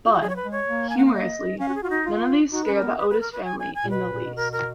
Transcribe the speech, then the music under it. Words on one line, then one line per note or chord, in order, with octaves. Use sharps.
But, humorously, none of these scare the Otis family in the least.
F4
F#4
F#3 G#4
C#5
B4
G#3
C#5
A#3
G#5
F#5
F5
D#5
C#4 F5
F#4
G#4
F4 F#4
D#4
F4
D#4 F#4
C#4 B4
A#4
B3
B4
B4
A#4
B4
G#5
G#5
G#5
A#2
B2 B4
A#2
A#2
B2
A#4
A#4